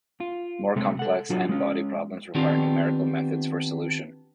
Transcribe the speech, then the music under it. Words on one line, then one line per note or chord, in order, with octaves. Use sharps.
More-complex n-body problems require numerical methods for solution.
F4
C3 G#3 A3 C4
A4 F#5
F#3 D4 F4 F#4
G#3 C#4
D#3 B3 C4 D4 F4 G4